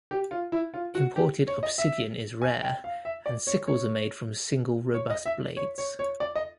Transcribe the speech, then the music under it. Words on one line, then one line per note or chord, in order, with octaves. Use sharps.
Imported obsidian is rare, and sickles are made from single robust blades.
G4
F4
E4
F4
F#4
G4
C#5
D#5
E5
G#5
G5
F5
E5
D5
C#5
C#5
C#5
D#5
E5
C#5
C#5
C#5
D5
D#5